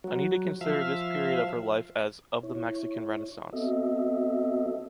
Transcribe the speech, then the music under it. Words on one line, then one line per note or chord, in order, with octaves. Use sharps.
Anita considered this period of her life as “Of the Mexican Renaissance”.
F#3
F3 E5 F5
E4 C#5
B3 C4 F#4 A4 D#5 E5